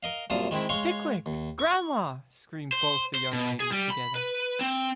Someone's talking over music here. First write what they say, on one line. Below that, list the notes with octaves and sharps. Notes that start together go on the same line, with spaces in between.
Pickwick, grandma!’ screamed both the young ladies together.
A#4 D#5 F5
C2 F#2 A#2 F5 A5 D#6
D#3 G#3 C4 E4
G#3 C#5 F5 C6 C#6
D#2
C#6
C5
C5
B2
G#4
G3
B5
B4
C4